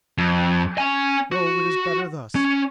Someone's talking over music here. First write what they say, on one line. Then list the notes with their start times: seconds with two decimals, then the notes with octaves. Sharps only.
No, it is better thus.
0.18 F2
0.78 C#4 G#5
1.32 F#4
2.36 C#4